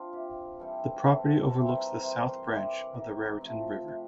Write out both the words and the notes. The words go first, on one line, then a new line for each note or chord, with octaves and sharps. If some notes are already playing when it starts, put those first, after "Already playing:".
The property overlooks the South Branch of the Raritan River.
Already playing: C4 D4 F4
C3 G4
E3 G3 C4 A4
C3 A4
A4
E3 G3 C4
A#4
C3 C5
C5
E3 G3 C4
D5
C3 A#5
F3 A3 C4
C3